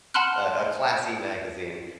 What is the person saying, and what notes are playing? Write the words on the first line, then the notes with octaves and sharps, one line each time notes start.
a a classy magazine.
F#5 A5 B5 C6 F6 F#6